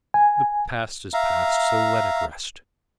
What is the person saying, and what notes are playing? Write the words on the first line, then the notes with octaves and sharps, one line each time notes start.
The past is past, so let it rest.
G#5
E5 F5 A#5